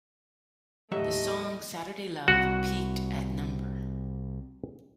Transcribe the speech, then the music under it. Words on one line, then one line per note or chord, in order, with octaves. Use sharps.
The song "Saturday Love" peaked at No.
D#2 A2 F#3 A3 G4 D#5 E5 F#5
C2 F#4